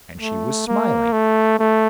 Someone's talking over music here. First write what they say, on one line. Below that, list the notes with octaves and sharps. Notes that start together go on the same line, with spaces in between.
And she was smiling.
A3
A#3
A3
A3